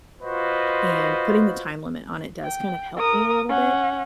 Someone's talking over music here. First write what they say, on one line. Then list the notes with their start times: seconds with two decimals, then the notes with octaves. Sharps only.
And putting the time limit on it does kind of help me a little bit,
0.22 F4 F#4 B4 C5 D#5
2.44 G5
2.98 A#4 D#6
3.49 C#4 F#5